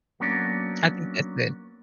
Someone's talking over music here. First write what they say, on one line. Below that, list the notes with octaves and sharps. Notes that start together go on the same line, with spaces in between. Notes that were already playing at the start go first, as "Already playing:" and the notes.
I think that's good.
F#3 A#3 B3 C#4 D4